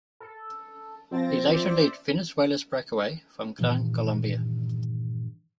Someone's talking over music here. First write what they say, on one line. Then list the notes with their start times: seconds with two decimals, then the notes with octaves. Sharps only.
He later led Venezuela's breakaway from Gran Colombia.
0.20 A4
1.11 F3 C4 A6 A#6
1.52 C5 D5 E5
3.59 G2 A#2 D#3 E3